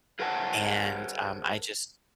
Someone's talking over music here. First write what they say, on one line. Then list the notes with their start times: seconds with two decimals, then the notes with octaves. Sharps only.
and, um, I just
0.19 G#4 A#4 C5 C#5 F#5 A5